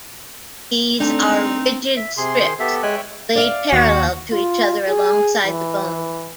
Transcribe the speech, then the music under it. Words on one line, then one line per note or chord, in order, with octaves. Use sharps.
These are rigid strips laid parallel to each other alongside the bone.
A3 C4 D4 D#4
E5
C3 G#4 C6
D#3 G#4 C5
B3 G4 A4 E5
G#3 C#5 E5 G5 G#5 F#6
D5 F5
D#2 F#4
F4
G#4
E3